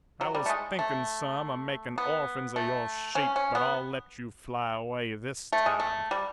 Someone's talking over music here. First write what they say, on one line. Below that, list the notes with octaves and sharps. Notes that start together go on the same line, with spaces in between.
'I was thinking some of making orphans of your sheep, but I'll let you fly away this time.
F#3
G3
A3
G#3
A3
B3
A3
C#4
C#4
B3
A3
G#3
A3
G3